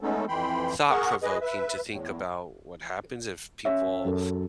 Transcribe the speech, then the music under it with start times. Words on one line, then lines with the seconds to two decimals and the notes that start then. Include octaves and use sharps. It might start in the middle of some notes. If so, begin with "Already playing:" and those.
thought-provoking to think about what happens, if people,
0.01 G#3 A3 B3 C#4 D#4 A4
0.28 F2 E3 G5 B5 C6
0.90 G#4 A#4 F#5 C#6
1.23 G#4 B4 D#5
1.41 B4 E5
1.90 E2 A2
3.65 C#4 C#5 E5
4.04 F#2 A4